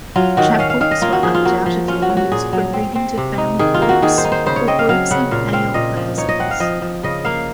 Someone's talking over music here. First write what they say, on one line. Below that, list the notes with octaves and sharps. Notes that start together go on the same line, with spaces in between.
Chapbooks were undoubtedly used for reading to family groups or groups in alehouses.
F#3 F4
D#3 F#4
C#4 F5
F5
D#3 F5
D#5
A#3 F4
F#4
F3 G#4
F4
A#3 F#4
F3
C#4 F4
F#4
F#3
F#4
A#2 G#4
F#3
C4
C4
C3
D#4
D#3 G#4
F4
A#3
F#4
D#3 G#4
C5
D#4
C5
C#3 C5
C#5
C4 D#5
F5
F#3 F5
C#3 F#5
A#2 F5
C4 F5
A#2 D#5
F3
D#4 C#5
D#5
C4 F#5
F5
F3 D#5
F3
C#3 D#5
A#3 F5